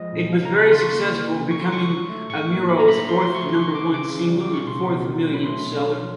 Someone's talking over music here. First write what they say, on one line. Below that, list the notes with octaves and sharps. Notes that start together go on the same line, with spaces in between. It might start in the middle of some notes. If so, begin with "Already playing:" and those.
It was very successful, becoming Amuro's fourth number one single and fourth million-seller.
Already playing: F3 G#3 D#5
A#2
F#3 F5
A#5
C#3
B5
D#3 C6
C#6
A#3 C6
E3
C3
D3 C#6
C6
G#3 C#6
F#3
A3
A2 C#6
A#3
A3 B5
A#5
F#3 B5
F3 C6
C6
A3
C#6
C3 C6
C#6
E3
D6
C#3
D6
C#3
G3
D6
C#3
C#6
B2 C6
B2
D#3
F#3
B5
A3 C6
B2
F#3